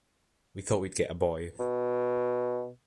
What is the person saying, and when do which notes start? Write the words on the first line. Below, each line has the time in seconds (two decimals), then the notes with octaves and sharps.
We thought we’d get a boy.
1.60 B2